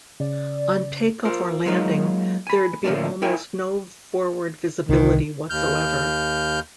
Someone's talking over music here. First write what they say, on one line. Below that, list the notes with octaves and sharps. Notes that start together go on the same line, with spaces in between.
On takeoff or landing, there'd be almost no forward visibility whatsoever.
C#3 D5
F4 A#4 C5
F#3 G#3 A#3 D#4 F4
G#5 B5
A2 D3 F3 A#3 C#4 D4
E4 A#4 G5 G#5
C2 D3 D#3
D#2 F6 G6